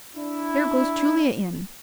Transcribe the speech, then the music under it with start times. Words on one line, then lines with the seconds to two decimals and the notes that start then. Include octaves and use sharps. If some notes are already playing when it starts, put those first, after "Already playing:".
There goes Julia in.
0.15 D4 E4